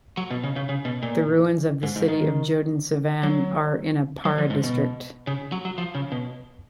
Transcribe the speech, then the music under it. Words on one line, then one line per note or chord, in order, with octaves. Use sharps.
The ruins of the city of Jodensavanne are in Para district.
F#3
B2
C#3
C#3
C#3
B2
A#2
G#2
G#2
D#3
F#3
F#3
F3
G#2
B2
C#3
F#3
F#3
F3
C#3
B2